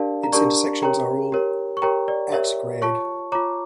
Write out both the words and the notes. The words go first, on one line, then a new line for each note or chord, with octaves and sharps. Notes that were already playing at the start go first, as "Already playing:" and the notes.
Its intersections are all at-grade.
Already playing: D4 G4 A#4 D5 F5 A5
A#5
D4 G4 A#4 D5 A5 C#6
G4 A#4 C#5 G5 A#5
G4 A#4 C#5
C#6
G4 A#4 C#5 G5 A#5
D5
G4 A#4 C#5 E5
F4 C#5 A5 C#6
F4 C#5 A#5 D6